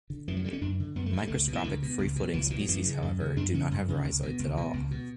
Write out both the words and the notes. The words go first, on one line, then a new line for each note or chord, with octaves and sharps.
Microscopic free-floating species, however, do not have rhizoids at all.
D3
F#2 E3
F#3
D3 G3
C#4
F#2 D4
D3
F#2 B3
A3
D3 G3
C#2 A3
B2
E3
C#2 D3
B2
C#2
B2
C#2 E3
F#3
B2 E3
F#3
F#2 E3
C#3
F#2
C#3
F#2 D4
C#3 C#4
F#2
C#3
C#2
B2
C#2
B2
C#2
B2